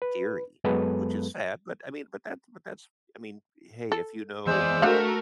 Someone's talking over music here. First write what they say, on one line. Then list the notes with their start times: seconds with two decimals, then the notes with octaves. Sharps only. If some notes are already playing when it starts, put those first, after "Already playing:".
theory, which is sad, but, I mean, but, that but, that's I mean, hey, if you know
0.02 B4
0.64 F#2 F#3 G#3 B3 A4 B4
3.92 A4
4.47 E2 G#3 C5 D5 E6
4.82 A3 D4 F#4 A4 A#4 F5 F#5